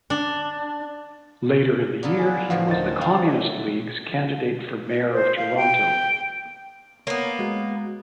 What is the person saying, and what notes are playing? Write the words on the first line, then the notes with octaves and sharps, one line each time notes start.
Later in the year, he was the Communist League's candidate for Mayor of Toronto.
D4
F#3 B3 E4 F4 A4 D5
G#4
A2 D3 F3 B3 C5 F5
D2 D#3 C#4 D#4 C5 A6
C4 G#4 F5
D#3 A3 F#4 C#5
C5
F5
G5
A#3 B3 C#5
G#3 F#4